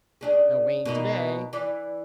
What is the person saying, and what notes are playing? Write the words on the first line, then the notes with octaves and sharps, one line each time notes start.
No rain to-day.
C#3 D4 G#4
B2 A#3 D#4
E3 D5